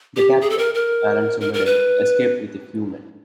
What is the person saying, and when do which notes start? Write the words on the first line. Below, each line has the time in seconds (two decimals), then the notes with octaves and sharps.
The Captain, Alonso Medel, escaped with a few men.
0.16 G4
0.41 G#4
0.50 A4
0.58 A#4
0.75 A#4
1.41 A#4
1.54 A#4
1.66 B4